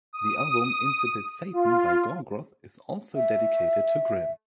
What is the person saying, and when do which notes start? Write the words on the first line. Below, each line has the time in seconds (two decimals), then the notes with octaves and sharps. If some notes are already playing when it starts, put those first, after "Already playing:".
The album "Incipit Satan" by Gorgoroth is also dedicated to Grim.
0.13 D#6
1.53 F4
3.16 E5